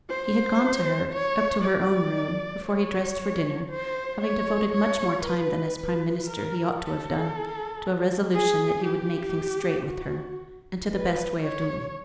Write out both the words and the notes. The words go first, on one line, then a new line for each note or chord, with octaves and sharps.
He had gone to her, up to her own room, before he dressed for dinner, having devoted much more time than as Prime Minister he ought to have done to a resolution that he would make things straight with her, and to the best way of doing it.
C5
C#5
D5
C#5
C5
C#5
C#5
B4
B4
A#4
A4
G#4
G4
F#4
B4
C#5